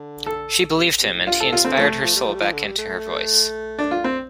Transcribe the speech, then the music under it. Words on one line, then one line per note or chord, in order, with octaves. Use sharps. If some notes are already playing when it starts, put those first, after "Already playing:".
She believed him, and he inspired her soul back into her voice.
Already playing: D3
A4
C3
C3
A2
G2 F4
A2 A4
C3 F4
D3 C4
F3 A3
F3
G3
F3
G3
F3
D3
G3
A3
D4
F4
C4